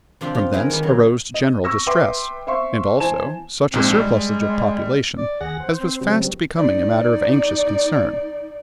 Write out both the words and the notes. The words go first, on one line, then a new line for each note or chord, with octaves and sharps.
From thence arose general distress, and also such a surplussage of population as was fast becoming a matter of anxious concern.
C3 F3 D4 F4 G4
F4
D#4 G#4 A#4 B4
D#3 G3
C#3 F#3
D#5
C#6 E6 A#6
B4 E5 G5 C6 D6
C5 E5 F5 C6 C#6
E3 C5 G#5 A5 E7
A#1 G#2 C4
G3 G#3
D5
D#2 G#4 F#5 A#6
C5
C4
C#3 F#3 G3 C4
D#4 D5